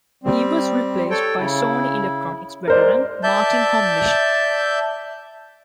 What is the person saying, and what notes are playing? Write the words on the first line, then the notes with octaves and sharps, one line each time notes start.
He was replaced by Sony Electronics veteran Martin Homlish.
G3 C4
A4 C#5 G5
C#3 E4
G#3 A#4 C5 D5
D5 E5 A5 G6